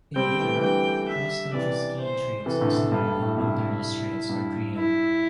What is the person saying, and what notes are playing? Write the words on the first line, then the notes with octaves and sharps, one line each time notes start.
In winter, cross country skiing trails and snowmobile wilderness trails are created.
G3 C4 G5
E3 A3
E3
D3 G3 G5
E5
C3 E3 D5
C5
C3 E3 A4
A2 D3
A2
G2 A4
G2
A2
G2 C3 E4
G2
E4